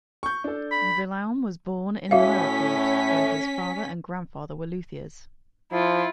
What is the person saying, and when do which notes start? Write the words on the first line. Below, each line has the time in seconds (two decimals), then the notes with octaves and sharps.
Vuillaume was born in Mirecourt, where his father and grandfather were luthiers.
0.23 C#6 G6
0.44 D4 A4
0.71 B5
2.11 A2 C#4 F#4 E5 F5 B6
5.72 F3 E4 F4